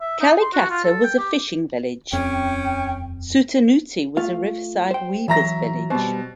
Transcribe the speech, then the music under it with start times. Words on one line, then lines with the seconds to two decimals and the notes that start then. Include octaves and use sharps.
Kalikata was a fishing village; Sutanuti was a riverside weavers' village.
0.01 E5
0.21 D#4
0.41 C6
0.53 F#4
0.70 F4
0.84 A4
1.04 G5
1.18 G4
2.12 D#1 F2 C4 C#4 G5
4.17 A3 F4 F5
4.91 C5 G5
5.28 E3 F#3 E5 A#5 A#6
5.90 B2 G3 C5